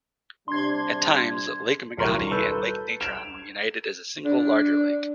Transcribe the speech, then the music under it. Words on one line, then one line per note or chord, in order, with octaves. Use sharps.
At times, Lake Magadi and Lake Natron were united as a single larger lake.
C3 G3 D4 C6 G#6
D#1 C2 F#3 A#4 C6 C#6
A4 B4 E6 G6
G#6 D7 E7 F7
D4